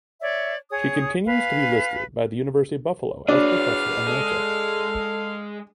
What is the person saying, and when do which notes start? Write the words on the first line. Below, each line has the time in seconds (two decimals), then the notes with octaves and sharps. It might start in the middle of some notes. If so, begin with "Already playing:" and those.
She continues to be listed by the University at Buffalo as professor emerita.
0.21 C#5 D5 E5
0.70 G#4 C#5 D#6
1.25 B4 F5 G#5
3.28 F#3 D4 G#4 B4 F5
4.07 G#3 G#4 A4